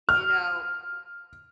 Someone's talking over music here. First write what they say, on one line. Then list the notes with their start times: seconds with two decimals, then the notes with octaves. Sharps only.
You know,
0.09 F6